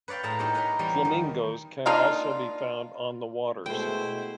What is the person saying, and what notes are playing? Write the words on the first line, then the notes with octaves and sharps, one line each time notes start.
Flamingos can also be found on the waters.
B4 C#5 D5 F5 G5
A2 A3 G#4 A4 A5 A#5
D#4 E4 G4 A#4 C#5
A#4 B4 C#5 A#5 C6
E2 G3 C#5 A#5 C6
D#3
A#3 D4 D#4 F4
B2 G#3 A3 E4 C5 G5